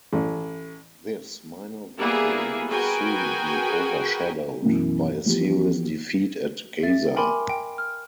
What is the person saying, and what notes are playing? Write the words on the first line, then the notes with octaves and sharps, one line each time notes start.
This minor victory would soon be overshadowed by a serious defeat at Gaza.
A1
G3 A#3 B3 E4 G#4
F#4 G#4 A#4 B4 G5 G#5
F#2 B2 E3
E3 F3 B3 G4
E5 A6
A#4 G5 G#5 B5 C6 D6
G5
F6